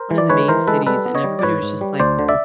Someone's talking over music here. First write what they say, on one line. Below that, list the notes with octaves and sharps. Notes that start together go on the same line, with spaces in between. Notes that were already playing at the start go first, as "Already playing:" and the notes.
one of the main cities, and everybody was just, like,
Already playing: A#4 C5
E3
D5
G#3 B4 C#5
E3 A#4 C5
G#3 A4 B4
G3 A4 B4
B3
C#5 D#5
G3
D5
G#2 B4 C#5
G#2
G3
D2 C5 D5
D3
D5 E5